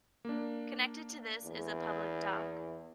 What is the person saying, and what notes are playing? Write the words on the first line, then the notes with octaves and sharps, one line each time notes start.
Connected to this is a public dock.
A#3 D4
E2